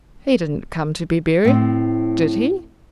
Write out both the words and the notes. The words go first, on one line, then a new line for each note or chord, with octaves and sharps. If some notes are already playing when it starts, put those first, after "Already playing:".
"He didn't come to be buried;--did he?"
A2 C4